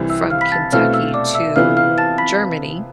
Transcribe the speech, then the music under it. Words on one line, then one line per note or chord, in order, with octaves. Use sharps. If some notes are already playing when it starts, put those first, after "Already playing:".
from Kentucky to Germany
Already playing: C2 C3 E3
E5 E6
F5 F6
B5 B6
A5 A6
B2 A3 C4 E4 A4 F5 F6
E5 E6
D5 D6
E5 E6
C3 E3 B3 F4 F5 F6
F5 F6
A5 A6
B5 B6